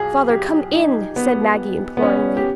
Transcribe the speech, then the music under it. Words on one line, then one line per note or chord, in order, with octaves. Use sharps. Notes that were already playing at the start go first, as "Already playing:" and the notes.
"Father, come in!" said Maggie, imploringly.
Already playing: B1 G#4
G4
D#4
B3
B3
C#4
G4